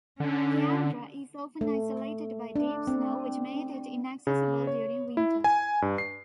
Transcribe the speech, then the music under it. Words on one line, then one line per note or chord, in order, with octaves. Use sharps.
Kiandra is often isolated by deep snow which made it inaccessible during winter.
D3 C#4
A3
D4
C4
C#3
C#5
E4
G#5
G2
C7